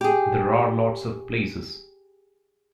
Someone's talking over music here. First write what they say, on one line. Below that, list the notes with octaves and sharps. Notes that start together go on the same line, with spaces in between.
There're lots of places.
G4 G#4